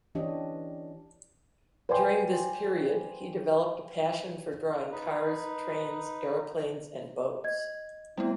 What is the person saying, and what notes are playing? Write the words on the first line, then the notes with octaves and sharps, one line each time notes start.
During this period he developed a passion for drawing cars, trains aeroplanes and boats.
E3 C#4 D4 G4 C#5 D#5
B4 C5 D5 G5 G#5 C6
D#4 B4
D#5 G#6
G3 A3 B3 C4 E4